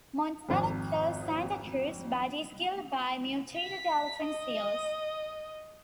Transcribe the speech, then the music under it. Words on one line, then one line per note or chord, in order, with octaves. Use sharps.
Montana kills Santa Cruz, but is killed by mutated elephant seals.
G#1 F2
B6
D#5